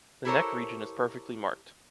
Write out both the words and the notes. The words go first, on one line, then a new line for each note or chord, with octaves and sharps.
The neck region is perfectly marked.
E4 G4 A4 A#4 C5 C#5